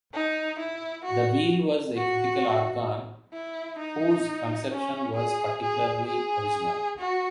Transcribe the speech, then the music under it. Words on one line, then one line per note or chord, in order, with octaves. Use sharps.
The wheel was a critical organ whose conception was particularly original.
D#4
E4
F#4
F#4
E4
D#4
C#4
G#4
G#4
G#4
F#4